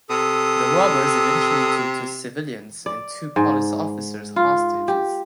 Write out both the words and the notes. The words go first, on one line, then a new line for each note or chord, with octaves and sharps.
The robbers eventually took two civilians and two police officers hostages.
C3 A4 D#6
D5
G#2
F4
G4